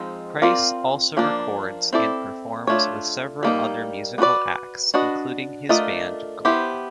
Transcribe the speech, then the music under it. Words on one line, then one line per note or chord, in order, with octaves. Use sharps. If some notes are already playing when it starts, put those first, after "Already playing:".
Pryce also records and performs with several other musical acts including his band Gulp.
Already playing: F3 G#3 C4 D#4
C4 F4 A#4 D5 F5
F3 A#3 D4
C4 E4 A4 D5
A3 D4 F4 A4 C#5
G3 A#3 D#4
B3 D4 F#4 B4 D5
D4 F#4 B4 D#5
A3 D4 F4 A#4 D#5
B3 E4 G4 C5